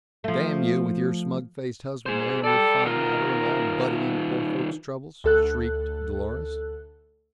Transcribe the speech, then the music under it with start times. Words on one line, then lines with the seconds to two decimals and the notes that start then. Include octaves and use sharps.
"Damn you, with your smug-faced husband there, and your fine auto and all, butting into poor folks' troubles!" shrieked Dlorus.
0.24 F3 A3
2.06 G#4 C5
2.44 A4 D5 G5
2.86 D#3 F4 A#4
5.24 D2 A4 F#6